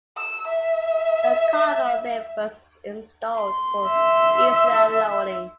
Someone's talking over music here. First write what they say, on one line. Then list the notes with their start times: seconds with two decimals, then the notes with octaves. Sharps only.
A cargo lift was installed for easier loading.
0.17 E6
0.47 E5
3.36 C6
3.87 E5